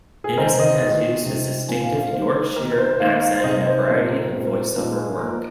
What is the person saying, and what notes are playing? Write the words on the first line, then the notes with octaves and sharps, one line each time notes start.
Ineson has used his distinctive Yorkshire accent in a variety of voice over work.
G#4
C3 G#3 C4 D#4 A#4
D#5
D#3 G#3 D#4
C3 F3 C4 D#4
A#2 F3 C4 G#5
F5
F5
D#3 A#3 D#4 C5
D#3 A#3 D#4 A#4
A#4
C5
D#3 A#3 D#4 F5
F5
C5
C3 G#3 D#4 D#5
D#5
C5
A#2 F3 C4 D#4 C5
A#4
A#2 F3 G#3 C4 C5
A#4
C5
A#2 F3 A#3 D#4 A#4
G#4
F3 A#3 D#4 A#4